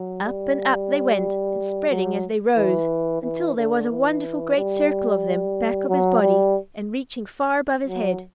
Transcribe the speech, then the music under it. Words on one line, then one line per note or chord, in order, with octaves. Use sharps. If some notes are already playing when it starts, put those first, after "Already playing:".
Up and up they went, and spreading as they rose, until there was a wonderful great circle of them back of his body and reaching far above his head.
Already playing: F#3
G3
F#3
E3
E3
D3
E3
G3
F#3
G3
F#3